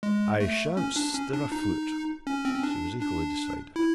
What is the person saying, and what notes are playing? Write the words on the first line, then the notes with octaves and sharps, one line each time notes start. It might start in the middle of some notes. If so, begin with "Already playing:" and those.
"I shan't stir a foot." She was equally decided.
G#3
A3
C#4
D4
C#4
D4
D#4
C#4
C4
C#4
D4
D4
E4